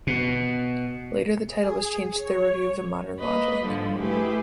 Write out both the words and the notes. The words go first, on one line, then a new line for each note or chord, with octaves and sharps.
Later the title was changed to "The Review of Modern Logic".
B2
G#4
C#5
A#3 B4 D#5
G#2 D3 F3 G3
A3 E4 G4 G#4 B4